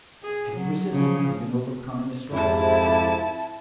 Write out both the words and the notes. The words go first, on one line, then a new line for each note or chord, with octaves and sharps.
Had he resisted, and been overcome in the struggle?
G#4
F#3
C#3 F3
F2 G#2 C3 E4 A5